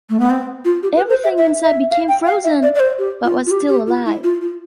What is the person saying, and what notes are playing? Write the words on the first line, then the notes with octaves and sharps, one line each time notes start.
Everything inside became frozen, but was still alive.
A3
B3
C4
F4
G4
B4
C5
E5
E5
E5
F5
G5
F5
E5
D5
D5
C5
G4
F4
F4
G4
G4
F4
E4
F4
F4